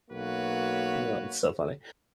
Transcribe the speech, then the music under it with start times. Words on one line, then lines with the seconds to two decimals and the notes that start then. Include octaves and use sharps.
Well, it's so funny.
0.11 B1 A#3 F#4 B4 C#5